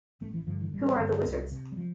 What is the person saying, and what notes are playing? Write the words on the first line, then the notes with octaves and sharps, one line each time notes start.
Who are the Wizards?
A1 A3
E3
G2 D3 F3
E3
A1 G3
G2 D3
C2
C3
G3
F3